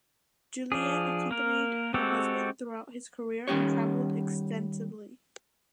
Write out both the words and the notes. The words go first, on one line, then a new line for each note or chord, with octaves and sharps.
Juliette accompanied her husband throughout his career and travelled extensively.
F3 D4 G#4
A#3 A#4
G#3 C4 F#4 G4 A4
D#3 G3 C#4 G4 C#5